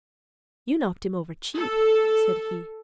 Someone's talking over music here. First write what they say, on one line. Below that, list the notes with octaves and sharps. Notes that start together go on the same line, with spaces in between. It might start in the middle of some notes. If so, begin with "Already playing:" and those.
"You knocked him over cheap," said he.
A4